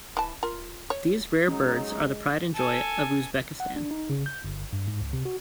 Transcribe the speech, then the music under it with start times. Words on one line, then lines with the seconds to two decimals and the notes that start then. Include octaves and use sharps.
These rare birds are the pride and joy of Uzbekistan.
0.17 E3 A5
0.43 F4 A#4
0.90 C#5
1.48 F#3 G#3 C#4 D#4
2.54 A4 G#5
3.60 F#5
3.76 D4
3.91 D#4
4.10 C#3
4.26 G6
4.44 G1
4.73 G2
4.88 G#2
5.01 C#2
5.13 C3
5.25 F#4